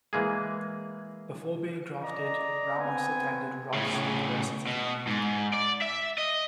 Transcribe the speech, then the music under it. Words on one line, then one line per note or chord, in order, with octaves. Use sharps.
Before being drafted, Ramos attended Rice University.
E3 G#3 A#3 G#4
D5 D#5 A#5
B3 C4 G#5
A2 C#3
B2
G#2
D5
E5
D#5